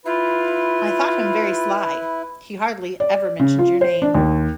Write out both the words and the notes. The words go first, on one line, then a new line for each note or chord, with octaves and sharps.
I thought him very sly; — he hardly ever mentioned your name.
E4 F4 B4
D5
C#3
F4
C5
D4
D#2